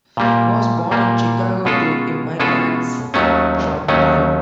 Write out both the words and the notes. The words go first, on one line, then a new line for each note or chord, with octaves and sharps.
He was born in Chicago to immigrants from Taiwan.
A#2 G3 A#3
A#2 G3 A#3
B2 G#3 C#4 F4 A4
B2 G#3 C#4 F4 A4
D#2 D#3 F#3 A3 C#4
D#2 D#3 F#3 A3 C#4